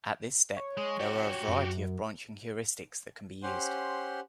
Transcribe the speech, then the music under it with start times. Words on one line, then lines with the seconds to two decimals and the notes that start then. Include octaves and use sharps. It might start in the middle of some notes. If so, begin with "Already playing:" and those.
At this step, there are a variety of branching heuristics that can be used.
0.57 C#5
0.77 G#3
1.00 F#4 G4
1.48 F#2
3.43 C#4 G4 C5 F#5 C6